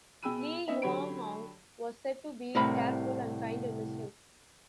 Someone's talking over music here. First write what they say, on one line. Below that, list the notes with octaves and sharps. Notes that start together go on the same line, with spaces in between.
Li Yuanhong was said to be careful and kind in his youth.
B2 G#4 G5 B5 E6 D#7
B3 C#4 D#4 D#5 E5
D3 F#3 G4 C#5 B5 D7
C2 A2 C3 A#4 B5